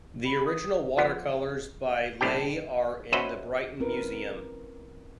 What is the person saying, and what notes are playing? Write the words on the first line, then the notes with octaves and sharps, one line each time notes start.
The original watercolours by Lay are in the Brighton Museum.
B5
D#6
F3 B3
B1 A2 D4 G4 G5
C#4 F#4 B4 C5 D#5 E5
C4 C#4 E4 A#4 B4